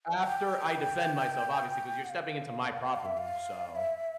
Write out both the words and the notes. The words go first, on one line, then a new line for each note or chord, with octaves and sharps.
after I defend myself, obviously, 'cause you're stepping into my property, so"
G5
F#5
F5
F5
E5
F5
E5